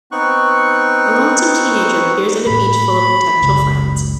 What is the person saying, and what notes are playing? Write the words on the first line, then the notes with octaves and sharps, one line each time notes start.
A lonesome teenager peers at a beach full of potential friends.
B3 C4 D#4 C#6 F#6
A2 A#3 B5
F#1 C#2